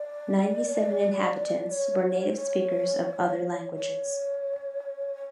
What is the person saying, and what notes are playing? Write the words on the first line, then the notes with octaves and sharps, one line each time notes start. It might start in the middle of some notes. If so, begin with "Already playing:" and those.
Ninety-seven inhabitants were native speakers of other languages.
Already playing: D5
D5
C#5
C#5
C#5
C#5